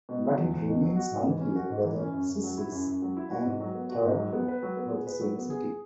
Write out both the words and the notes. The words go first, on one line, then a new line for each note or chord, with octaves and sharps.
But it remains unclear whether "Cissis" and "Tarraco" were the same city.
B2
F#3
E2
E2
B2
F#3
F#4
G#2
E3
C#4
F#4
G#2
E3
C#4
F#2
F#2
F#3
E4
F#2
F#2
F#3
E4
F#4
G#2
F#3
B3
F#4
G#2
F#3
B3
B4
F#3
B3
G#4
B4
F#3
B3
G#4